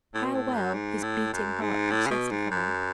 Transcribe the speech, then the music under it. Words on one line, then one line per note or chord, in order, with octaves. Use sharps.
How well, his beating heart could testify!
A2
B2
A2
F#2
G#2
A2
F#2
G#2
A2
C#3
B2
G#2
F#2